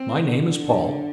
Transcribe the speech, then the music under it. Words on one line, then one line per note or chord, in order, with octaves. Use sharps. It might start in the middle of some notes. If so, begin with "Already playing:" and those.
My name is Paul.
Already playing: C4
D3